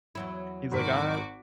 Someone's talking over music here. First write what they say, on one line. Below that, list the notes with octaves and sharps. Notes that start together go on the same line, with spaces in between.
He's like, "I"
E2 F#3 E4
G#1 F#4 A#4 D6 B6